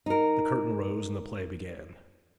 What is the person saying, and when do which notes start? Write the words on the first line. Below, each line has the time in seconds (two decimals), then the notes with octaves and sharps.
The curtain rose and the play began.
0.06 D#4 A#4